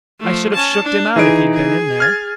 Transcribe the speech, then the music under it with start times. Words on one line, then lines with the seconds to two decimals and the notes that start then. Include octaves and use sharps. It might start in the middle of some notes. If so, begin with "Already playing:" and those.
"I should have shooked him out, if he'd been in there!"
0.20 F3 A3
0.54 C#4 A5
0.83 D4
1.16 E3 D#4 G#4 D7
1.53 G#4
2.00 F6 G#6 A6